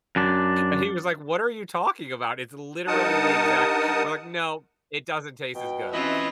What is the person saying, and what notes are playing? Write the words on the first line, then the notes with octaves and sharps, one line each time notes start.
And he was like, "What are you talking about? It's literally the exact" we're like, "No, it doesn't taste as good."
F#2 D4
G2 D#4 A#4 F#5 A5 D#6
B2 G5
E3 C4 C#4 F4 B4 D#5 E5